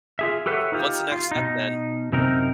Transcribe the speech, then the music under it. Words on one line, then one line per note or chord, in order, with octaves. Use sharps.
what's the next step then
F4 G#4 E5
G4 A4 B4 C#5 E5 F#5
D#4 F4 G4
F4
B2 D#4
F#2 C3 C4 D#4 A#4